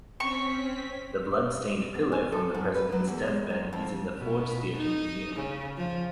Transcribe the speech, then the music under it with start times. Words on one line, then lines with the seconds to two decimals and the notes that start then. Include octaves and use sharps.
The blood-stained pillow from the President's deathbed is in the Ford's Theatre Museum.
0.20 C4 C#4 C#6 B6
1.95 E2
2.12 G#5
2.32 A4
2.54 F#2
2.75 B4
2.92 F#3
3.07 E2
3.28 G#3
3.50 F#2
3.73 F2
4.17 B2
4.78 D#4
5.36 C#3
5.77 F3